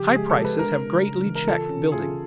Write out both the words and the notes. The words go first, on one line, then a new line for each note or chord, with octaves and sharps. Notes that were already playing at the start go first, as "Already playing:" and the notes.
High prices have greatly checked building.
Already playing: C#3 F3 G4
G#3 G#4
A4
G#3
B4
D4 A#4
C#3
C#3
E3
A#4
F4 A4
C#4
F4 G#4